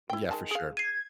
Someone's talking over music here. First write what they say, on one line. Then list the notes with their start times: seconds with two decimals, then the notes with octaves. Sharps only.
Yeah, for sure.
0.10 E4 G5
0.31 D#3 G#3 A5
0.51 G#4 F5
0.77 G#6 C7 D#7